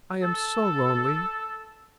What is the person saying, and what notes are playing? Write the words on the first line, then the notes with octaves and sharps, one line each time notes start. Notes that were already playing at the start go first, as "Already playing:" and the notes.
I am so lonely.
A4